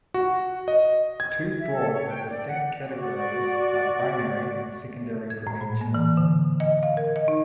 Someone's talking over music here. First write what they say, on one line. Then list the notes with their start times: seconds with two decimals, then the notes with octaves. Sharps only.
Two broad but distinct categories are primary and secondary prevention.
0.14 F#4
0.68 D#5
1.20 G#6
1.60 E5
1.73 A4
1.93 C#5
2.09 G5
2.29 D5
2.48 F#5
2.92 F#4 D5
5.30 G#6
5.47 A2
5.61 A#2
5.81 A#3
5.94 E3
6.17 D3
6.60 D#5
6.83 F5
6.97 A#4
7.16 D#5
7.28 D#4